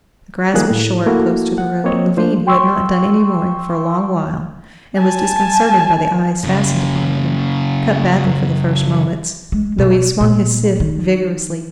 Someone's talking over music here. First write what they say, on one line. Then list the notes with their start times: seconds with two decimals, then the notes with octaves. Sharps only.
The grass was short close to the road, and Levin, who had not done any mowing for a long while, and was disconcerted by the eyes fastened upon him, cut badly for the first moments, though he swung his scythe vigorously.
0.54 D#3 F3 G3 A#3 G#4 F#6
0.71 A2
1.06 A3 A#3 E4 F#4 A#4
1.58 F#5
1.84 A#3 C4 C#5 D#5
2.17 F3 D4 C5
2.47 G5 C6 C#6 E6
4.95 G#5 A5
6.44 F#2 C#3
9.52 G#3
9.78 B2
10.21 A#2
10.80 D#3